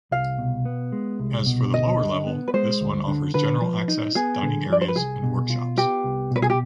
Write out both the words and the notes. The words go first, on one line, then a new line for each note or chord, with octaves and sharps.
As for the lower level, this one offers general access, dining areas, and workshops.
C2 F5
B2
B3
G#3
C2
B2
D2 D#5
D3
B3
B4
G#3 C5
D2
D3
D3 B4
F3
D#4
B3 G#4
D3
F3 D5
C5
B4
C2 G#4
B2
F4
B3 G4
C2
B2 B4
G#4
G4